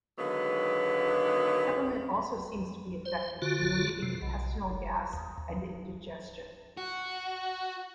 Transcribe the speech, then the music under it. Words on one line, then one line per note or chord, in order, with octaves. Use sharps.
Peppermint also seems to be effective in relieving intestinal gas and indigestion.
D3 D#3 F#3 G#3 A#3 B3
C5
D3 F4 F#4
C3
B1
F#1
D#2
F#4